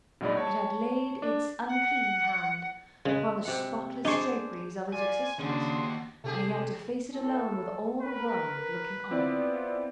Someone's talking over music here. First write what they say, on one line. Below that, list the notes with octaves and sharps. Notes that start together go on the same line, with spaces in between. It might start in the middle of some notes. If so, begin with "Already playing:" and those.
It had laid its unclean hand upon the spotless draperies of his existence, and he had to face it alone with all the world looking on.
A#1 F#3 G#3 D#4 D5 B5
C#5 A5
D4
F#5
C#3 G#3 B4
C3 F#5
D4 D#4 G#4 C5 C#6
F4 D5 G#5
D#2 C#3 D4 F#4 D#5 C6
C3 A3 G4 G#4
A2 A4
A#4 B4
B3 C4 E4 F4 D5